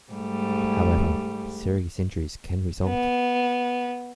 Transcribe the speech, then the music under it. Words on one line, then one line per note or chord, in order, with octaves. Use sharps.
However, serious injuries can result.
G#2 G3 A3
B3